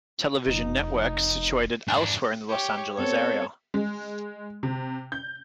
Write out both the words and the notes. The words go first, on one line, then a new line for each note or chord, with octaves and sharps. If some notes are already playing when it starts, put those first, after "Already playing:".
Television Network situated elsewhere in the Los Angeles area.
F1 D#4
G#2 D4
G4 C#5
B3 C4 A4 C#5
G#3
C3
G6